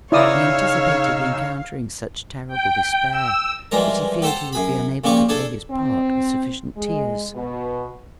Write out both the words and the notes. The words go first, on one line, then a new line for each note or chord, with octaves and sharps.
He anticipated encountering such terrible despair that he feared he would be unable to play his part with sufficient tears.
C#3 D#4 E4 C#5 D5 F5 D#6 E6
G5
E6
E3 F3 G3 G#3 A#4
G4 A4 C5 F#5
F#2 G#4 B5
A#2 C#3 F3 G4 C#6 D6
D4 G#4 A4
C4
G#3
B2